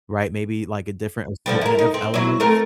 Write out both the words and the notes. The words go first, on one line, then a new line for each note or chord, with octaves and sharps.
right? Maybe, like, a different assortment of elements,
D3 F3 G3
E4 A#4
D#4
C4
F#3 E4
A3 C4 A#4